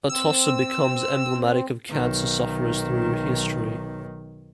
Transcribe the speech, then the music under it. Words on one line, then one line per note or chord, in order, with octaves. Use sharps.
Atossa becomes emblematic of cancer sufferers through history.
C4 E6
B1 D#3